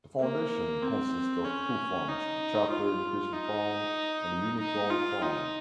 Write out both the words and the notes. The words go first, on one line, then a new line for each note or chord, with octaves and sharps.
The Foundation consists of two Funds, the Chapter Education Fund and the Unicorn Fund.
A#3
C4
C#4
D#4
F4
D#4
D#4
F4
D#4